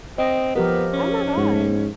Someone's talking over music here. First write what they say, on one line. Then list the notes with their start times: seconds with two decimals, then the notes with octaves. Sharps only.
Oh my god.
0.18 C4 D#5
0.56 F3 B3 G4 A#4
0.93 C#4
1.37 G#2